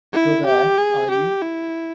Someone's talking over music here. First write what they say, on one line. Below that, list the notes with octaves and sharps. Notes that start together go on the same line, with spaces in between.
You're there, are you?
E4
G4
G#4
G4
E4